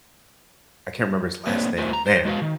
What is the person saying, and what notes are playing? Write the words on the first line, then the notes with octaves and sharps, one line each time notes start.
I can't remember his last name. Man.
A3 A#3 C4 D4 B4 C#5
A3 F4 G#4 B4 C5
A#5
C5
G#3 F#4 B4 F5
D#3